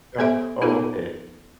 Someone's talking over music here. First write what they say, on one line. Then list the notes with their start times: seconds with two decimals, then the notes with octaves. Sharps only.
Oh oh, okay.
0.19 B3 G4 A4 C5 E5
0.61 B3 D#4 F4 G4 A4